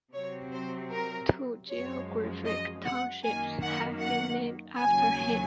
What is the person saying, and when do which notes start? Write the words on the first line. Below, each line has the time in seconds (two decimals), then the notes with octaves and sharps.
Two geographic townships have been named after him.
0.13 C3 F#3 C4 C#5
0.52 C5
0.91 A#4
1.69 F#2 F3 G#3 C#5
2.45 D#5
2.85 F#5
3.23 F#2 D#3 A#3 G#5
3.61 F#5
4.01 F#5
4.78 D#2 C#3 F#3 G#5